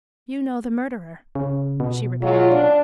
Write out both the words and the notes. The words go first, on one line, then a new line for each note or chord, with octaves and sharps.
"You know the murderer," she repeated.
C#3
B2
F#3 G#3 F4
D4